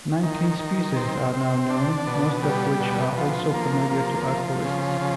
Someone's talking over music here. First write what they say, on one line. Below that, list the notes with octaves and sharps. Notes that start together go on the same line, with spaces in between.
Nineteen species are now known, most of which are also familiar to aquarists.
D#3
D#3
C4
C4
D4
B2
G3
B2
F3
A#3
F3
F3
C#3
C#3